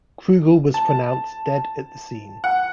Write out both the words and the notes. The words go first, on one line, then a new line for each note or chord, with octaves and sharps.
Krugel was pronounced dead at the scene.
A5
F#5